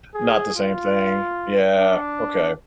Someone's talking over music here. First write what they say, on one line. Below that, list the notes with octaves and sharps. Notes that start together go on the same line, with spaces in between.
Not the same thing. Yeah, okay.
G#4
F4
D4